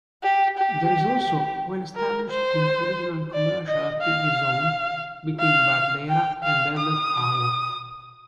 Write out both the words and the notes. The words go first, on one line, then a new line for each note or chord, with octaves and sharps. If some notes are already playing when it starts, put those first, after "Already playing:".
There is also well-established inter-regional commercial activity zone between Bardera and Belad Hawo.
G4
G4
A#4
C5
D5
D#5
F5
F5
G5
F5
D#6